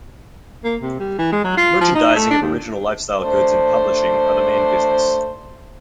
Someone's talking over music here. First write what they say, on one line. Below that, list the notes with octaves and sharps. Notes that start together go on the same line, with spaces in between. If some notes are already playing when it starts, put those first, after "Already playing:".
Merchandising of original lifestyle goods and publishing are the main business.
A#3
C3
G3
E3
G#3
F#3
F4
F3
D#4
A3
D4
D#2
A3 D4 C5